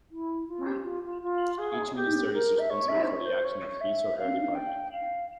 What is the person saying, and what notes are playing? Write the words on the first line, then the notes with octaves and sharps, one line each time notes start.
Each minister is responsible for the actions of his or her department.
E4
F4
G4
F4
F4
F4
G#4
G4
A#4
E5
C#5
E5
C5
C#5
C5
C#5
E5
F5
G5
F5